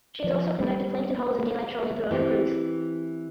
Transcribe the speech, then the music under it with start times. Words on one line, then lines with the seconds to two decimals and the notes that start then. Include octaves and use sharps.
She also conducted plankton hauls and daylight trolling throughout her cruise.
0.24 F3
0.60 G3
2.11 E3 C4 G4